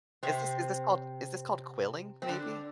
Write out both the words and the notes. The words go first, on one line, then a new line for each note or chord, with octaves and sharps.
Is this is this called is this called quilling maybe?
C3 C4
C4
D3 D4